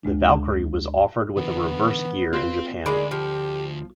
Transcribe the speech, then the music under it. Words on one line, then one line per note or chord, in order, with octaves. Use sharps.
The Valkyrie was offered with a reverse gear in Japan.
D2 G#3 D4
D3 E3 B3
C4 F4 B4
D2 D#3 G#3 D5 B5
F3 G4